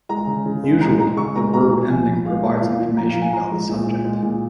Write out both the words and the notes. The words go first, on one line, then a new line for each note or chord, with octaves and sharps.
Usually, the verb ending provides information about the subject.
G#3 A#5
C#3
C#3
G#3
G#3 A#5
G#3 A#5
C#3 C#6
G#3 A#5
A#2 A#5
A#2
F3 G#5
F3
G#3 F5
A#2
A#2 F5
A#2
F3 A#5
F3 F5
G#5
F3 A#5
G#3
A#2
A#2
G#3
A#2